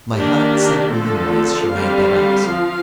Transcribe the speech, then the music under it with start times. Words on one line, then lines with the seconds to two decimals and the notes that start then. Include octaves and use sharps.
My heart sank within me as she made that answer.
0.16 D#3 A#3 D4 G4
0.94 D3 F3 A3 C4 A4
1.71 D3 G3 C4 F5
2.49 F3